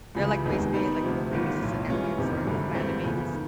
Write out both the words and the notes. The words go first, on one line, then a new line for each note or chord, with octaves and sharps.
they're, like, basically, like, my nieces and nephews or, like, my other babies.
C#2 C#3 E3 G3
F1 D#2 D#3 G#3 B3
D#3 G3 B3 D#4
D2 C3 F3
G1 G2 D#3
B1 A2 F3
G2 E3 G#3 C#4 F4
F1 E2 C3 D#3
G#1 F#2 D3 G3
G#1 G2 E3 A3 C4
E2 C#3 F3
D#3